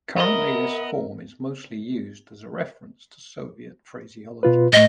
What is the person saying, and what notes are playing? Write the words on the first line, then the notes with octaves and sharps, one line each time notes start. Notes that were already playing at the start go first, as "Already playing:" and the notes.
Currently this form is mostly used as a reference to Soviet phraseology.
B3 A#4 D#5 E5
B2 F4 B4
A2 A3 D#5